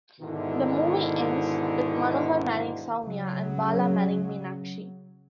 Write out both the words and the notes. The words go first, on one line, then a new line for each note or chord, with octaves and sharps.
The movie ends with Manohar marrying Sowmya and Bala marrying Meenakshi.
G#2 B2 D3 D#3 E4
C#3 F#3